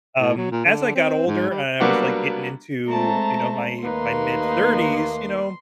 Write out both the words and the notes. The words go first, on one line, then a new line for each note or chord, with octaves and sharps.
um, as I got older and I was, like, getting into, you know, my my mid-thirties, you know,
A2
F#3
A#2
D3
C4
G#2
G3
F#3 G3 A#3 B3 D4 F#4
G#3 A3 C4 A5 A#5
D#2 A3 A#3 D#4 B4 C6